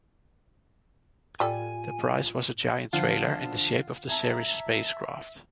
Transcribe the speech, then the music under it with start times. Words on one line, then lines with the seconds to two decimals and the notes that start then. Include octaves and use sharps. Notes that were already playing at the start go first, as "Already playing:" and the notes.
The prize was a giant trailer in the shape of the series' space craft.
1.40 A2 G3 F4 A4 D5 G#5
2.93 D3 F3 F4 F#5 A5
4.09 E5 A5 A#5 G#6